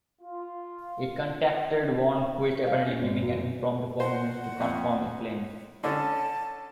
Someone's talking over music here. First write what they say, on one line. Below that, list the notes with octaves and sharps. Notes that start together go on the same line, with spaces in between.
He contacted Wernquist, apparently giving an impromptu performance to confirm his claims.
F4
F5
C#4
G#1
F#2
C5 F#5
F2
D3 C#4 A5